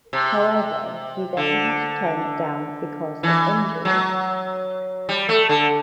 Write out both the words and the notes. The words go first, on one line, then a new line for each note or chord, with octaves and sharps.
However, he then had to turn it down because of injury.
C3
D3
E3
F#3
G3
A3
D3